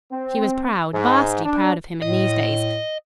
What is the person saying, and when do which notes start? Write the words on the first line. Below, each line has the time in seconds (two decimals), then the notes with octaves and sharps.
She was proud, vastly proud of him in these days.
0.10 C4
0.93 G#2
1.44 D4
2.02 A2 D#5